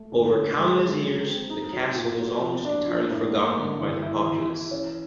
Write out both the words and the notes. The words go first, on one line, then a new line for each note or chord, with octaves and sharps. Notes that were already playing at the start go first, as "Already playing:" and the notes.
Over countless years, the castle was almost entirely forgotten by the populace.
Already playing: A3
D3
C#4
G#3
G#3
F#3
C4
D#4
F#3
A#2
F#3
F3
D4
F3
A2
A#3
D3
E3
E4
E3
E3
C#4